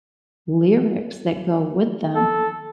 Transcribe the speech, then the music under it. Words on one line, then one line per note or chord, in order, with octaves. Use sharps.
lyrics that go with them,
A4